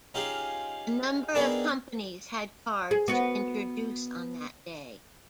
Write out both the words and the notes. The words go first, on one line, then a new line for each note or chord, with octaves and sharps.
A number of companies had cards to introduce on that day.
C#4 D#4 F4 G4 G#4 F5
B3 C4 D4 D#4 G#4 A#4
G#4
B3 F#4 B4